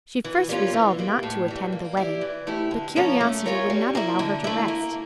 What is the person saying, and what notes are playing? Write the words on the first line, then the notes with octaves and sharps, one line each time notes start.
She first resolved not to attend the wedding, but curiosity would not allow her to rest.
E3
G3 A#3 C#4 F4
E3
G3 A#3
A2
E3 G3
A#3
E4 G4 D5
E3
A3 E4 G4
D3
F3 A#3 C#4 F4
A3
C#4 F4 A#4 C#5
G3
A#3 E4
D3
A3 E4
A#3